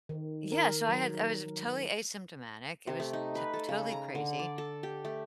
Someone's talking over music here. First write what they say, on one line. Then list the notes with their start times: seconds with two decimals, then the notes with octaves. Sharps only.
Yeah. so I had I was totally asymptomatic, it was t totally crazy.
0.09 D#3
0.52 A#4
0.89 F#3
2.87 C3
3.00 A3
3.13 D#4
3.35 B4
3.53 A4
3.69 C#3
3.92 A#5
4.15 D3
4.39 D5
4.58 A4
4.83 G4
5.05 A3